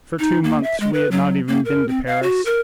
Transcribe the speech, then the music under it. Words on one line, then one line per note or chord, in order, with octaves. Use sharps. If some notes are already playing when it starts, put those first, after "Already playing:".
For two months we had not even been to Paris.
D#4
A#3
E5
G#3
B4
F#3
A#3
A#4
C4
F5
F#4
A#4